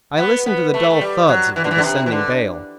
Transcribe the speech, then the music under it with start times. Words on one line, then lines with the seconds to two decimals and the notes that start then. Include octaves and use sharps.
I listened to the dull thuds of the descending bale.
0.18 B3
0.46 B3
0.74 A3
0.90 A3
1.01 G3
1.29 F#3
1.56 E3
1.64 D3
1.71 E3
1.78 D3
1.84 C3
2.06 E3
2.12 D3